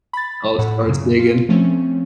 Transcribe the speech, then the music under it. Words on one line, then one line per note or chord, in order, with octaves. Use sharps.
Oh, starts digging.
B5 A6
A2 A4 F#5 B5
F#2 C#3
F4
F3 A3 C4 C#4